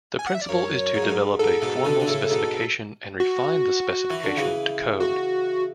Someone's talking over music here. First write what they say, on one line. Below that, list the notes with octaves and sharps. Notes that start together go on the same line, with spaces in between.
The principle is to develop a formal specification and refine the specification to code.
G#5
F#5
E5
D5
F#2 C#5
G#2
F#2
G#2
G#2 A4
G#2 B2
B2 D3
D3
A2 C#3
G#2 B2
F#4
E3
D3
C#3 E3
F#4